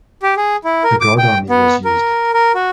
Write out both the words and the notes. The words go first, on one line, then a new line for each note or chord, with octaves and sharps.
The guard army was used.
G4
G#4
E4
A#4
D6
G5
B3
A#4
A#4
F#4